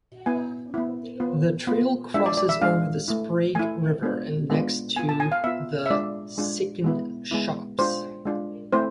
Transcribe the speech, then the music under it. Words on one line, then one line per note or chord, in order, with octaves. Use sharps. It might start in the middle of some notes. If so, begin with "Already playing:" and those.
The trail crosses over the Sprague River and next to the Sycan Shops.
B3 E4 G#5
B3 E4
B3 F4
B3 F4
G#3 D4 F4 E5
D5
D5
E5
G#3 D4 F4 F5
A3 E4
A3 E4 G#5
G#3 B3 D4 F4
G#3 B3 D4 F4
B3 F4 G#5
A5
G#5
F5
B3 F4 E5
E5
G#3 D4 F4 D5
G#3 D4 F4
G#3 B3 E4
G#3 B3 E4
G#3 D4 F4 C5
G#3 D4 F4
A3 C4 E4 C5